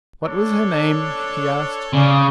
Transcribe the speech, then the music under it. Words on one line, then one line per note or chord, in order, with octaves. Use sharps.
"What was her name?" he asked.
D4 A4 C#5
C#3 C#4 D5